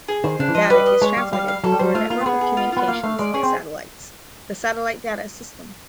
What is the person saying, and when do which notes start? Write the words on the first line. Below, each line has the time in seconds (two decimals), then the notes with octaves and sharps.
Data is transmitted through a network of communications satellites; the Satellite Data System.
0.08 G#4
0.24 D#3 C5
0.39 C#3 D4
0.48 E3
0.55 F3 D#5
0.70 G3 B4
0.86 D#5
1.02 G#3 C#5
1.17 G3 F5
1.33 G3 F5
1.48 F5
1.64 F#3 A4
1.72 G3
1.79 F#3 C5
1.94 A3 F4
2.10 A#3 F4
2.21 C4
2.26 B3 G#4
2.41 G#4
2.57 F4
2.72 B3 F4
2.88 A#3 F5
3.04 A3 F5
3.19 G#3 D5
3.34 C#4 G#4
3.43 C4